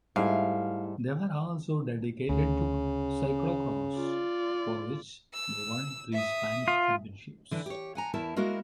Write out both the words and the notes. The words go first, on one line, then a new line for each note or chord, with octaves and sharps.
They were also dedicated to cyclo-cross, for which they won three Spanish Championships.
G#2 G3 A3 E4 F5
D2 C#3
F4 D5
E6
E5 D#6
F4
D3 E3 D4
G4 C#5
F#5 G#5 A#5
E2 E4 A#4 A5
G#3 A#3 E4 F#4 A#4